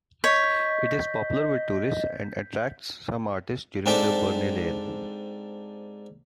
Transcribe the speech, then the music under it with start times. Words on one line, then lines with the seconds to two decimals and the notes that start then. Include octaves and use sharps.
It is popular with tourists and attracts some artists during the Berlinale.
0.24 C#5 D#5 G6 B6
3.86 G#2 C4 D4 G4 A4 G5